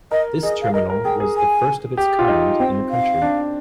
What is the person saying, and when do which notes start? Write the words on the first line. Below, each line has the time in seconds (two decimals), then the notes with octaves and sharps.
This terminal was the first of its kind in the country.
0.11 A#4 D#5
0.43 G#4 D#5
0.62 F5
0.74 A#4 D#5
0.90 A#4
1.05 G#4 G5
1.20 G#4
1.36 G#5
1.97 G4
2.19 F4
2.28 D#4
2.60 C4 G5
2.90 F5
3.22 D4